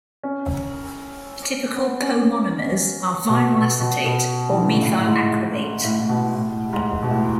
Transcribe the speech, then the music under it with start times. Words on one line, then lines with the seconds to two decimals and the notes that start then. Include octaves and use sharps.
Typical comonomers are vinyl acetate or methyl acrylate.
0.23 C#4
1.76 B3
2.02 C#4
3.29 B2
3.55 B2
3.80 B2
4.05 B2
4.51 E3
4.58 D3
4.67 C#3
4.74 B2
4.82 A2
4.98 A2
5.07 G#2
5.32 A2
5.58 G#2
5.84 A2
5.99 A2
6.09 B2
6.35 A2
6.73 G#2
7.03 B2
7.11 A2